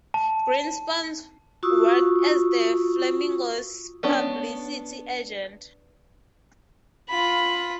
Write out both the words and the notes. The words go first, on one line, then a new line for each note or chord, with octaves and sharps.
Greenspun worked as the Flamingos's publicity agent.
A5
F4 F#4 C#6 D#6 E6
B3 C#4 D4
F4 B5